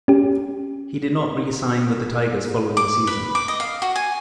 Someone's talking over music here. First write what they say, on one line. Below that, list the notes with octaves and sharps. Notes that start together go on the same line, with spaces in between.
He did not re-sign with the Tigers following the season.
C#4 G4
D6
B4
D6
D#5
F5
F#4
G#5